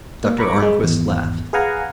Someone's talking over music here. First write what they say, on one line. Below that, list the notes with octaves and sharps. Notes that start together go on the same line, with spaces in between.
Dr. Arnquist laughed.
A#3
A#5 B5 C#6 D6
G#3
G#1 E2
G#4 B4 F5 F#5 G#5 A#5